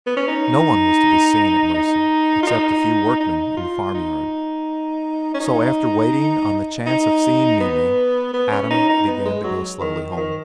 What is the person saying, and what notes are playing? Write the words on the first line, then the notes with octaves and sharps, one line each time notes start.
No one was to be seen at Mercy except a few workmen in the farmyard, so, after waiting on the chance of seeing Mimi, Adam began to go slowly home.
B3
C#4
D#4
D#4
F4
D#4
D#4
F4
D#4
C#4
D#4
D#4
B3
B3
C#4
D#4
D#4
B3
G#3
F#3
D#3
F3
D#3